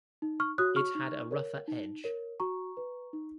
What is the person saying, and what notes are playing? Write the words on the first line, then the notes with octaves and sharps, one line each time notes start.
It had a rougher edge.
D#4
C#6 F6
F#4 C#5 D#6 F#6
C#6 F6
D#4
A#4 C#5
D#4
A#4 C#5
F#4 A#5 C#6
B4
D#4